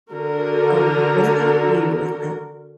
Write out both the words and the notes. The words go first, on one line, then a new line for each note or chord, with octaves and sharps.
Um, what about you with it?
D3 F#4 A#4